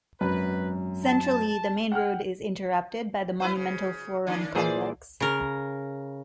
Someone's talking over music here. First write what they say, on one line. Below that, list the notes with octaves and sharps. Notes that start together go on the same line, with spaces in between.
Centrally the main road is interrupted by the monumental forum complex.
G#1 F#2 B4
A5
F#5 G5 F6
E4 B4 C5
C#3
D#3 A#3 D4
A#2 E3 G#4 C5 D5
C#3 A#4